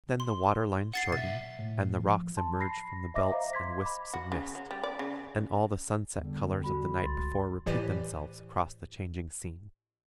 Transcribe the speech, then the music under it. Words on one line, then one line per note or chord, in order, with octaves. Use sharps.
Then the water-lines shorten and the rocks emerge from the belts and wisps of mist; and all the sunset colours of the night before repeat themselves across the changing scene.
C6
F#5 A6 C7
B1 E5 A6
A2
F3
A5 C6
B5 A#6 C7
D#5 E5 D6 A#6
C5 D#5 F5 A#5 D6
C6 G#6 B6
B5 D6
F#4
C#3
F#3
G3
D5
C#3
E2 D3 G3
F#4 B5
C#2 C6 A6
A2 E3 G4 C5 D5 D#7